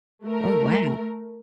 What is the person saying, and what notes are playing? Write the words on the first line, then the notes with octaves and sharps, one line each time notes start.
Oh, wow.
A3 A#4